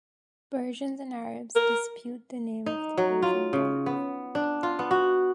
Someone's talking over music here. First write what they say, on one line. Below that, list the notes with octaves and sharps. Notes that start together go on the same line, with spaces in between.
Persians and Arabs dispute the name of the Persian Gulf.
A#4
D#4
F#3
F4
C#3
B3
D4
F4
B3
F#4